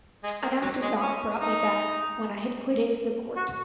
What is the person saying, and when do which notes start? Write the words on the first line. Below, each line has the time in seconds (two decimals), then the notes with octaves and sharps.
An afterthought brought me back, when I had quitted the court.
0.23 G#3
0.42 A#3
0.62 F#3
0.82 G#3
1.01 C#4
1.40 D#4
3.36 F#4